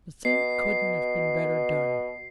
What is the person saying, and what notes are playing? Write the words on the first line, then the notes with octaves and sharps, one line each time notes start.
The thing couldn't have been better done.
B2 C7